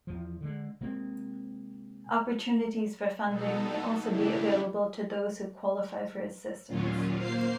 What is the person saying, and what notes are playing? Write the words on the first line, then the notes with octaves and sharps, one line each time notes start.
Opportunities for funding may also be available to those who qualify for assistance.
E2 F3
D3 G#3
C3 G#3 A#3 C4
B2 F#3 B3 D#4 A4
C#3 E3 C#4 D4 E4 G4
D#2 A#2 F#3 C#4 F4
A#3 C5 F5 C7